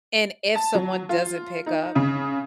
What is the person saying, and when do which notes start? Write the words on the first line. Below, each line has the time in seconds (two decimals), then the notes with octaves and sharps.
And if someone doesn't pick up,
0.55 A5
0.75 F#3
1.09 F4
1.66 D#4
1.95 C#3